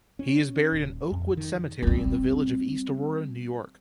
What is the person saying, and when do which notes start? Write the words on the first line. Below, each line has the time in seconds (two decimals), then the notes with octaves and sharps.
He is buried in Oakwood Cemetery in the Village of East Aurora, New York.
0.19 C#4
0.72 D#1
1.12 F2
1.37 D#3
1.82 G3 C4